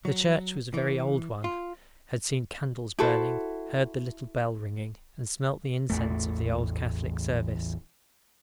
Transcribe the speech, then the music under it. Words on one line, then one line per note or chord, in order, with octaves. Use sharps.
The church was a very old one--had seen candles burning, heard the little bell ringing, and smelt the incense of the old Catholic service.
F#3
E3
F4
E4 F#4 A4 C5
A1 E2 A3